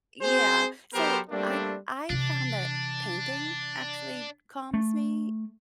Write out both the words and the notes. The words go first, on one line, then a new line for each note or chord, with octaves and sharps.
Yeah, so, I I found that painting actually calms me.
C4 F#4 G#4 C5
F#3 B3 G4 A4 A#4 C5
G3 A3 A#3 C4 D4
C3 E3 D4
A3